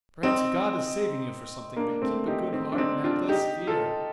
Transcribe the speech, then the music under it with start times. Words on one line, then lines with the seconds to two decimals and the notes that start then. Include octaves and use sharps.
Perhaps God is saving you for something. But keep a good heart and have less fear!
0.23 C4 D#4
1.76 A#3 D4
2.02 A3 C4
2.28 D#4 G4
2.52 C4 D#4
2.72 D4
2.78 C4 D#4
3.04 D4 F4
3.29 D#4 G4
3.67 F4 A4